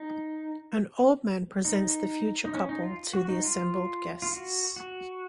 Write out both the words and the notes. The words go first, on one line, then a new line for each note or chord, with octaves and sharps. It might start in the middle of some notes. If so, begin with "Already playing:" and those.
An old man presents the future couple to the assembled guests.
Already playing: D#4
D#4
D#4
C#4
D#4
F4
F#4
D#4
F4
F4
F#4
F#4